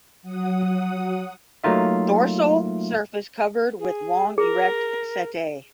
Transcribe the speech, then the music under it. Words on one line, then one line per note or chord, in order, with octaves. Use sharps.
Dorsal surface covered with long erect setae.
F#3 F#5 D#6
F#3 A3 A#3 D#4 F4 E5
G#4
G#4 A#4